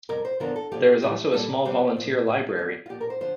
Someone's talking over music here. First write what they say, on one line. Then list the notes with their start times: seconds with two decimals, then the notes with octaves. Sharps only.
There is also a small volunteer library.
0.09 F2 C3 G3 A#4
0.25 C5
0.40 E2 D3 F3 A#4
0.56 A4
0.72 A#2 F3 G4
1.03 A2 G3
1.34 A#2 G3 A4
1.65 E2 E3 G3 C5
1.97 A#2 F3
2.27 A2 G3
2.59 E2 E3 G3
2.86 F4
2.89 A#2 F3 G4
3.01 A#4
3.10 C5
3.21 D3 F3 C5